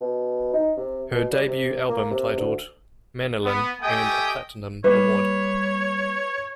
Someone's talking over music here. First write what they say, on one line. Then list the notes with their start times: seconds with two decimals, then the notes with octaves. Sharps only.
Her debut album titled "Manilyn" earned a platinum award.
0.01 B2
0.53 D#4
0.77 C3
1.11 B2
1.31 G3
1.47 C3
1.89 A#3
2.11 C3
2.37 D2
3.44 B3
3.82 A3 G4 D#5 G5 G#5 D#6
4.84 G3 A#3 B4 C#5